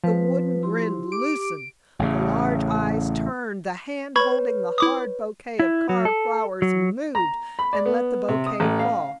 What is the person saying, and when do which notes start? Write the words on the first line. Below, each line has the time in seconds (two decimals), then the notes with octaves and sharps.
The wooden grin loosened, the large eyes turned, the hand holding the hard bouquet of carved flowers moved, and let the bouquet fall.
0.04 F3 C4 B4
0.63 E4 G4 C6
1.12 G4 D6 D7
1.99 A1 C#3
4.16 B4 C#5 B5 C#6 G#6
4.78 E4 D6 D#6
5.60 E4
5.89 F#3
6.05 A4
6.62 F#3
7.15 A#5
7.59 B5
7.73 D5
7.86 B3
8.28 C3
8.46 D#6
8.60 A1
8.79 F5